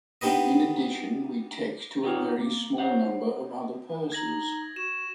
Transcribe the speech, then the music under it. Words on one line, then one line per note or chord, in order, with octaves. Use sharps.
In addition we text to a very small number of other persons.
B3 D4 D#4 G4 B4 D#5
B3 C4 D#4 F4 B4 C#5
A#3
C5 C#5 F#5
D#4 G#6 A#6 F#7
F#4 E7